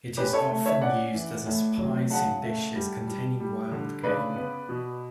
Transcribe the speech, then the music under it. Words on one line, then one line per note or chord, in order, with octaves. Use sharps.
It is often used as a spice in dishes containing wild game.
C#4 G4 B4
A4 C#5
A3
C#5 E5
C#4 D5 F#5
E3
A2
F#3
C#3 F#5 A5
A3
G3
G3
G3
D3
C#3 B4 D5
B3
B2